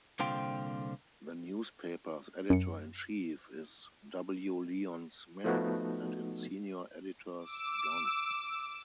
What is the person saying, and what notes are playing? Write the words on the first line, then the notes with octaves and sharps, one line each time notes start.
The newspaper's editor-in-chief is W. Leon Smith, and its senior editors Don.
C2 A#2 D3 C4 F4 G5
F#2 C#7
F3 A3 B3 D#4 F#4
D6 E6